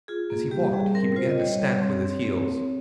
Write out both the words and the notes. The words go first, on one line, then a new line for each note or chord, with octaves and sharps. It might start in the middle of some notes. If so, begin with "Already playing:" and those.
As he walked he began to stamp with his heels.
F4 G#4
A#3
G3 G4
G3 G#4
C4 A#4
F4 C5
D#5
G3 C#5
G3
C4
C4
C4